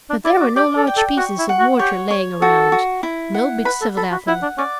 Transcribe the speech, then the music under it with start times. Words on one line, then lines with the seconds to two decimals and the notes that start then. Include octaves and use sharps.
But there were no large pieces of mortar lying around--no bits of lathing.
0.10 D4
0.25 E4 D5
0.41 F#4
0.56 G4 D5
0.77 A4
0.87 G5
0.97 A4
1.17 F#4 C#6
1.39 E4
1.49 F#5
1.59 F#4
1.79 G4 C#5
2.10 C#5
2.41 F#4 A4
2.72 F#4
3.03 E4
3.34 F#5
3.65 B4 B5
3.81 A4
3.97 A4 B5
4.12 F#4
4.27 E4 F#5
4.42 D4
4.58 C#4 D5